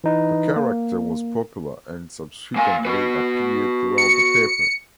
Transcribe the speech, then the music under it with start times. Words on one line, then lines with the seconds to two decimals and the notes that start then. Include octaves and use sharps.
The character was popular, and subsequently appeared throughout the paper.
0.04 E3 D#4 B4
0.56 A#3
2.56 A#3 G#5
2.85 F#4 B4
3.98 C#7